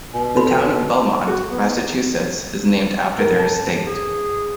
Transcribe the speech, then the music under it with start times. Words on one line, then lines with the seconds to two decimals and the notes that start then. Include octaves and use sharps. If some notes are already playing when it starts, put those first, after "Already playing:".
The town of Belmont, Massachusetts is named after their estate.
0.14 B2
0.37 A4 B5 C6
1.28 F#4 G#4
1.50 B3
3.17 G2 A#4
3.39 A5
3.86 G#4